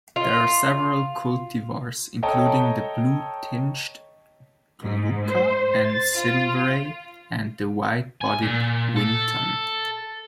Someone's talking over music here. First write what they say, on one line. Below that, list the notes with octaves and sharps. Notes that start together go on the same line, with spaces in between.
There are several cultivars, including the blue-tinged 'Glauca' and 'Silveray' and the wide-bodied 'Winton'.
F4
A4 C#5 D#5 G5 A5 A#5
G#2
C5
A6
F4
G#5
A#2
A4